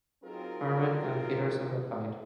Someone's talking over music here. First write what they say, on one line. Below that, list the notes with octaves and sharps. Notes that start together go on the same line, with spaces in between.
Herman and Peterson replied.
F#3 C4 D#4 F4 G#4 A#4